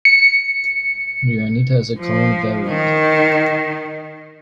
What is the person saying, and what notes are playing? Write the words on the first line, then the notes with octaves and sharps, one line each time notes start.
Juanita is a common variant.
C#7
F3
D#3